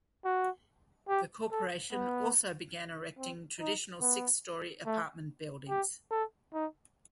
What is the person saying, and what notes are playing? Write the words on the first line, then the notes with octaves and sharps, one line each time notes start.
The corporation also began erecting traditional six-story apartment buildings.
F#4
G4
A4
B3
C4
D#4
B3
A3
G4
A4
D#4